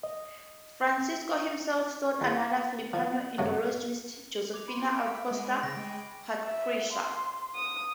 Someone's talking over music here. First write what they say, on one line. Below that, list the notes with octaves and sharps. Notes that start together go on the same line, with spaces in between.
Francisco himself taught another Filipino Indologist, Josephine Acosta Pasricha.
D#5
E2
F3
F#2 C3 F#3
D6 G#6 F7
B5 C6 D6 D7
E5
G#3
C#3 G5 C#6 A#6
G#3
E5
C6
D#6